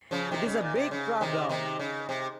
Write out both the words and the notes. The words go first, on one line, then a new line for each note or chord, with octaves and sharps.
It's a big problem.
C#3 F3
C3 D#3
C#3
A#2
C3
C#3
C3 D#3
C3 D#3
C#3
C3